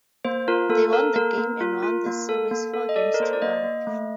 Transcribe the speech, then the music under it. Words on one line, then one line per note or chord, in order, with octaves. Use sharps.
They won the game and won the series four games to one.
A#3 C5
F4 A#4
A#3 A4
A4 A#4
A#3 A#4
A#3
F4
F4
A#3
A4
A#3
A4
D#5
A4 D5
A#4
A#3 C5
D5
A#3 D#5
A#3
A3